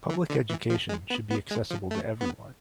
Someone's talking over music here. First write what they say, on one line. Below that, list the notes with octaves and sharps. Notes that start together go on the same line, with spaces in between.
Public education should be accessible to everyone.
E3
D3
E3
F3
G#3
B3
B3
G#3
F3
A3
B3